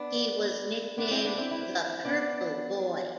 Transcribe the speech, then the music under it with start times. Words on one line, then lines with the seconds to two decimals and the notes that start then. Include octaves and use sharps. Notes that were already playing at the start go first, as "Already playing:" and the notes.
He was nicknamed "the purple boy".
Already playing: B3 D4
0.98 B3 D4
1.11 C4 E4
1.24 B3 D4
1.38 C4 E4
1.51 C4 E4
2.05 B3 D4